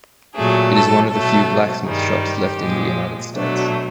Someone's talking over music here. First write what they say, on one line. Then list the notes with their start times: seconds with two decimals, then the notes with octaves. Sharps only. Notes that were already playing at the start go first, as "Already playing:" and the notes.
It is one of the few blacksmith shops left in the United States.
0.35 A#2 F#3 A3 G#4
0.72 A4
1.10 B2 F#3 A3 A4
1.85 G2 D#3 G3 G#4
2.22 G4
2.59 A#2 F3 G#3
3.34 B2 F#3 A3 D4